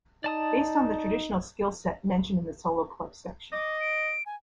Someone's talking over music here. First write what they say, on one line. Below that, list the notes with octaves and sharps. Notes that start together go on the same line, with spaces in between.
Based on the traditional skill set mentioned in the solo club section.
D#4 D5 A5 D#6
D#5 D6
D7
G#5